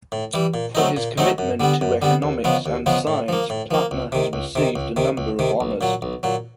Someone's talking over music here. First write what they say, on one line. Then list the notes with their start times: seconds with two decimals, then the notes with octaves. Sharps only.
For his commitment to economics and science, Plattner has received a number of honours.
0.12 A2
0.34 E3 G3
0.54 A#2
0.75 F#3 A3 C4 D#4
0.97 A#2
1.18 F#3 A3 C4 D#4
1.38 F#2
1.60 D3 G3 B3
1.81 F#2
2.02 D3 G3 B3
2.22 D#2
2.44 C#3 F3 G#3 B3
2.66 D#2
2.86 C#3 F3 G#3 B3
3.07 A2
3.28 F3 A#3
3.50 A2
3.71 F3 A#3
3.91 C#2
4.12 C3 D#3
4.33 C#2
4.55 C3 D#3
4.76 C#2
4.96 C3 D#3
5.18 C#2
5.39 C3 D#3
5.61 B1
5.81 A#2 F#3
6.02 B1
6.23 A#2 F#3